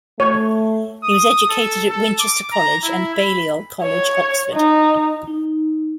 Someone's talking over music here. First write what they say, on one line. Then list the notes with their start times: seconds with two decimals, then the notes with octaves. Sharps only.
He was educated at Winchester College and Balliol College, Oxford.
0.20 A3 C#5
1.03 D#6
1.49 A4
1.90 A4
2.20 D6
2.52 A#5
2.84 E4
3.14 B5
3.83 C#5
4.53 D#4
5.27 D#4